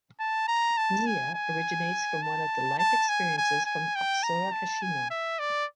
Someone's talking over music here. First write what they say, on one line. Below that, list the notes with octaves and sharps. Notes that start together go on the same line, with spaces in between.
Nea originates from one of the life experiences from Katsura Hoshino.
A5
A#5
A5
G#5
G#5
A5
A5
G#5
G#5
G#5
G5
A#5
A5
G#5
E5
D5